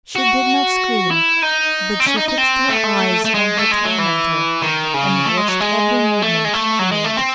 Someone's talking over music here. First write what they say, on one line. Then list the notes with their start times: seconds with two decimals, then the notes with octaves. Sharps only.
She did not scream, but she fixed her eyes on her tormentor and watched every movement he made.
0.16 F#4
1.10 E4
1.42 D#4
2.00 C4
2.07 C#4
2.17 D#4
2.28 D#4
2.38 C4
2.70 A3
3.25 A3
3.35 G#3
3.58 A3
3.72 G#3
3.85 F#3
3.99 E3
4.62 D#3
4.94 C#3
5.25 A3
5.37 G#3
5.48 F#3
5.60 G#3
6.22 A3
6.45 G#3
6.54 A3
6.79 F#3
6.91 G#3
7.04 A3
7.17 C4